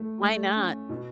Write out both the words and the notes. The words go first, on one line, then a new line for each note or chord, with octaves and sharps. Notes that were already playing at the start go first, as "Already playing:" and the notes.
Why not?
Already playing: A3
A3
C#4
B2